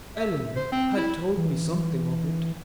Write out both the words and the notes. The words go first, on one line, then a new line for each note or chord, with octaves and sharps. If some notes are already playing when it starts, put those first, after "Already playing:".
"Eleanor had told me something of it."
E5
C5
C4
E4
E3